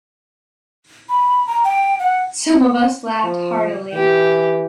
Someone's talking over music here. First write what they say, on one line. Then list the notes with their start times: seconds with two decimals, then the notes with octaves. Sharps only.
Some of us laughed heartily.
1.09 B5
1.47 A#5
1.64 G5
1.99 F#5
3.24 F3
3.94 E3 G4